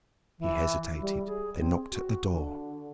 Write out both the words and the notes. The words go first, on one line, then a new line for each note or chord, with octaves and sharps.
He hesitated, then knocked at the door.
E3
G3
G#4
C4
F#4
D3